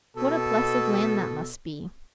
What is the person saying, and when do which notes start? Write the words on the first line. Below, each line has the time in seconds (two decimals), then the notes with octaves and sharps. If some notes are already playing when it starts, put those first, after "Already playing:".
What a blessed land that must be!
0.16 B2 A4